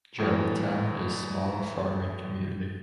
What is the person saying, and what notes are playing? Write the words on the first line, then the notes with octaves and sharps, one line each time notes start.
Germantown is small farming community.
E2 A2 E3